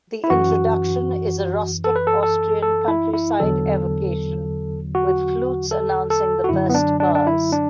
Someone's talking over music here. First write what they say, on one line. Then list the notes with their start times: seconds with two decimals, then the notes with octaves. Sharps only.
The introduction is a rustic Austrian countryside evocation, with flutes announcing the first bars.
0.24 E4
0.30 F#2 E3 F#4
1.84 A4
1.96 B4
2.07 A4
2.23 A4
2.62 A4
2.88 E4
3.13 E4
3.40 E2 D3 F#3 A4
4.95 F#4
5.71 A4
6.10 A4
6.44 F#4
6.49 F#2 D3 F#3 E4
6.69 B3
6.74 D4
7.00 D4
7.15 D4
7.27 E4
7.52 D4